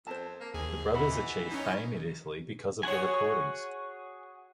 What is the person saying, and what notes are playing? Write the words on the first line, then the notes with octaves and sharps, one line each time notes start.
The brothers achieved fame in Italy because of the recordings.
F2 C5 A5
A#3
D#2 G#4
E3 D#5 F#5 B5
C#4 D#4
F#4 G#4 C#5 F#5 G#5